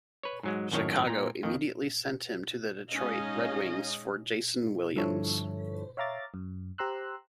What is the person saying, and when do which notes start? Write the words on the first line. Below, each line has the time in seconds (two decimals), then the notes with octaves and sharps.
Chicago immediately sent him to the Detroit Red Wings for Jason Williams.
0.23 B4 C#5
0.43 G#2 F#3 G#3
0.71 G#1 F#2 A2 D#3 C#5
1.07 A#2 A#5
1.43 F2 D#3
2.90 G#3 C#4 D#4 D#5 F5
4.96 G2 D3 F3 E4 A4 C#5
5.97 C#5 E5 F5 A#5 D6 A6
6.34 F#2
6.78 G4 C5 A#5 C6 E6 F#6